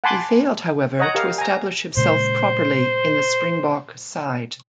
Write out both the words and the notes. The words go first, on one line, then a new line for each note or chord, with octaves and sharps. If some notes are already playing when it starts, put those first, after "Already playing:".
He failed however to establish himself properly in the Springbok side.
F#5 G#5 A5 B5 C6 D6
C#5 D#5 F#5 A#5
G4 A#4 F5
G#5 A#5
A#2 C#3 G#3 C5